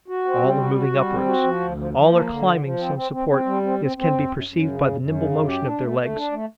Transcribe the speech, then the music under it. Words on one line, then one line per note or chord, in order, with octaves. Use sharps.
All are moving upwards, all are climbing some support, as can be perceived by the nimble motion of their legs.
F#4
C4
G3
F#4
F#4
G3
C4
F#4
F3
D2
F3
F3
A#3
D3
F3
F3
C4
C4
C4
C4
G3
C4
C4
C4
F#2
F#2
F#2
C#3
F#2
F#2
C#3
F#2
G4
D4
A3
A3
D4
A3